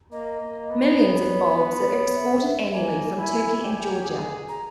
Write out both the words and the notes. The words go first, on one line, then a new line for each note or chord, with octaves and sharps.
Millions of bulbs are exported annually from Turkey and Georgia.
A#3 D#5
A#3
B3
C#5
B4
C#5
B4
C#5
E5
E5
A#3 G#5
E4
G4
G#4
A#5